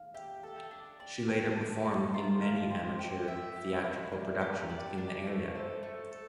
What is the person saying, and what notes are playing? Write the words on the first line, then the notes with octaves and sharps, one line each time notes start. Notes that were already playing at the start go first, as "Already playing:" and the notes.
She later performed in many amateur theatrical productions in the area.
Already playing: F5
G4 E5
A4 G5
D4
D5 G5
G5 A5
D4 A5
A3
F4 A#5
A#4 A5
C5 G5
G4
E5
G4
E4 E5
A#3 D5
G4 A#4
D5
D4
A3
A4 C5
A3
A4